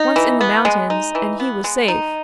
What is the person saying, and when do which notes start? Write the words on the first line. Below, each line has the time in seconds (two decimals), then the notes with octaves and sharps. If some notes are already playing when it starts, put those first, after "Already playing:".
Once in the mountains and he was safe!
Already playing: D#4
0.16 E3
0.41 B3
0.65 G#3
0.90 D#4
1.15 E3
1.40 B3
1.64 G#3
1.88 D#4